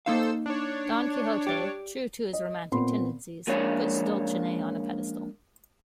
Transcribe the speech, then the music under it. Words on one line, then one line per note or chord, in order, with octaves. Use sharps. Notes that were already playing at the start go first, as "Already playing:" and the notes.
Don Quixote, true to his romantic tendencies, puts Dulcinea on a pedestal.
A#3 D#4 A4 C5 F5 E6
D4 C#5
G4 D5
D#5
A#2 B3 C4 B5 C6
F3 G#3 A#3 C#4 D4 C#5